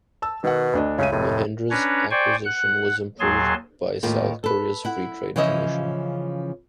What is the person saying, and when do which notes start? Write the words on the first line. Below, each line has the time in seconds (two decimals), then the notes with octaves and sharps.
Mahindra's acquisition was approved by South Korea's Free Trade Commission.
0.22 A5 E6
0.44 B2 D#3 F#5
0.73 D2 D4 D#5
0.98 C#2 C#3 E5 D#7
1.12 F1 A2
1.70 C#4 D4 B4 C#5 A#5
2.11 C5 D5 G5 G#5 C#6
2.45 F#5 F#6
3.20 D#2 F#3 G#4 G#5 A5 C6
4.03 D#2 A2 D#3 A#3 F4
4.44 A4 B4
4.85 E4 F#5
5.36 C#3 E3 F3 C#4 D#5 E5